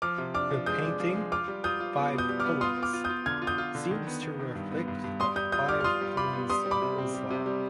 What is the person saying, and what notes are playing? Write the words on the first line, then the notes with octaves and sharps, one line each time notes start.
Her painting "Five Pillars" seems to reflect the Five Pillars of Islam.
F3 D6 F6
C3
D4 D6 F6
F3
G#3 D#6 G6
D4
F3
G#3
F4 D6 F6
G3
F4 D#6 G6
F4
B3
B2
D#6 G6
G3
D6 F6
B3
F4 C6 D#6
B3
D6 F6
F4
D#6 G6
F4
D3 F6 G#6
F4
D#6 G6
F4
D3
D#3
B3
B3
D#3
G2
B3
G2
G2
G3 C6 D#6
G3 D#6 G6
F4 D#6 G6
G3 D6 F6
F6
F4 C6 D#6
G3
F4 B5 D6
B3
G3 C6 D#6
G3
B5 D6
C3
C4
G3
C3
G3